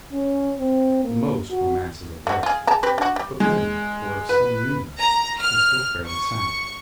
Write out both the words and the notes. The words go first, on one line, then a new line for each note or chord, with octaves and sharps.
The most were masses of rust, but many were of some new metal, and still fairly sound.
C#4
C4
A#3
F#4
A3 F#4
F4 G#4
G#4 A5 A#5
C4 G4 B4
D4 F#4
G3
G#3
B4
A#5
F6
C#6